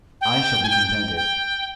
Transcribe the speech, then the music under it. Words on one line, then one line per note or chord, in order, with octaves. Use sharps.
I shall be contented.
G5
G#5
G5
G5